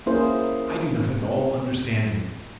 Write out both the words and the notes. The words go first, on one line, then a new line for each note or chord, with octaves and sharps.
"I do not at all understand you!"
A#3 C#4 E4 G#4 A#4 C5